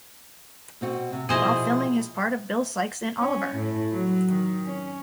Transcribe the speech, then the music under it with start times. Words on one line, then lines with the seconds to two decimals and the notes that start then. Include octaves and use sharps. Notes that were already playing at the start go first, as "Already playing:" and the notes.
While filming his part of Bill Sikes in Oliver!
0.81 B2 C4 F#4
1.12 C3
1.29 B2 F3 E4 G#4 C5 D#5
3.19 C#4
3.56 A2
3.92 F#3
4.29 D#3
4.66 C#4